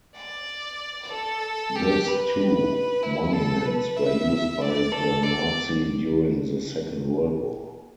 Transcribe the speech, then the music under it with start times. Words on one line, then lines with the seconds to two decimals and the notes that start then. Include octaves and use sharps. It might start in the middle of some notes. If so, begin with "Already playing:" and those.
This two monuments were used by the Nazi during the second world War.
0.17 D5
1.12 A4
1.76 G4
2.08 B4
3.03 E4
3.34 A4
3.66 B4
3.97 E5
4.61 D5
4.92 A4
5.23 D5